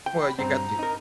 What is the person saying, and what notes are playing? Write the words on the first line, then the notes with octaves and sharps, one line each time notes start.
Well, you got the
G5
B5
G2 C4 A#5
D#4 A#4